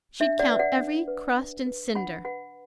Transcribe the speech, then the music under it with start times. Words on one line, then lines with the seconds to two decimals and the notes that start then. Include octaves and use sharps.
She'd count every crust and cinder.
0.20 D4 E5
0.39 D5 F#5
0.49 B4 E5
0.59 D5 F#5
0.79 D4
1.08 B4
1.37 D4
1.66 B4
1.95 D4 F#5 B5
2.25 B4 F#5 B5